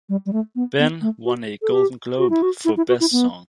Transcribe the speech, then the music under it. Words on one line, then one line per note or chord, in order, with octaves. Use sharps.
"Ben" won a Golden Globe for Best Song.
G3
G3
A3
B3
B3
A3
F#4
A4
G4
F#4
E4
F#4
E4
E4
F#4
E4
B3